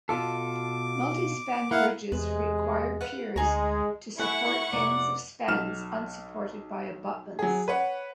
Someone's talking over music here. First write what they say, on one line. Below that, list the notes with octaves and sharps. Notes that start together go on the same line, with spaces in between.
Multi-span bridges require piers to support ends of spans unsupported by abutments.
B2 F4 A4 D6
A#3 E4 F5 F#5
E2 C3 G#3 B4
B4 F5 F#5
D2 G#3 D#4 G#4 A#5
A3 E4 F#5 G#5 C#6 F#6
F1 D5 A#5
B1 F6 E7
F#3 G#4
B4 C#5 F#5